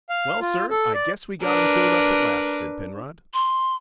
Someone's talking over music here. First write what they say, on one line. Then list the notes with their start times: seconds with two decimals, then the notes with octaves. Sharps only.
"Well, sir, I guess we got him filled up at last!" said Penrod.
0.09 F5
0.41 F4
0.71 A4
0.94 D5
1.43 D4 A#4 B4
3.34 C6